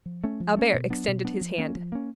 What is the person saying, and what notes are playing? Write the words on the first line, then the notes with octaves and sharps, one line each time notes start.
Albert extended his hand.
F3
A3 C#4
F3
A3 C#4
B2
F#3 B3 D4
B2
F#3 B3 D4
F3
A#3 C#4
F3
A#3 C#4